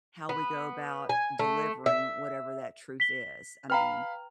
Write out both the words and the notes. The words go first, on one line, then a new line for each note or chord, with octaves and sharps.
how we go about delivering whatever that truth is. I mean,
B3
G#5
A3
E5
B6 G7
B4 F5 G5 A#5 B5 F6